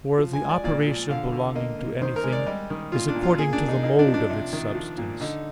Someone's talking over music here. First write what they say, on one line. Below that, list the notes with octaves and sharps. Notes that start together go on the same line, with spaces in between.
For the operation belonging to anything is according to the mode of its substance.
F3
G#5
G#3
D5
A#2 D5
F3
D3 F5
D3
A#3 D#5
A#3
D#3 C5
A#4
G#3
D5
G3 D#5
D#3
A#2 F4
D4
A#2
F4
A#3 G#4
D4
A#3
D#4
A#2 D#4
D4
F3
D4
C3
D#3
F3
A#2
D3 D#4